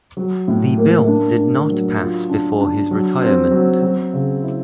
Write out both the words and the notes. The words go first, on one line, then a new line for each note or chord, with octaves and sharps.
The bill did not pass before his retirement.
F#3
A2
A#3
D4
D4
F#3
F4
D4
D4
F#3
C4
F#3
F#3
C#3
E4